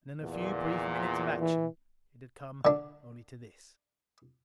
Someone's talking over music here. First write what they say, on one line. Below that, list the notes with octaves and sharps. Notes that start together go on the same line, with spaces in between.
And in a few brief minutes of action it had come only to this!
E2 A#2
E3
D3 D4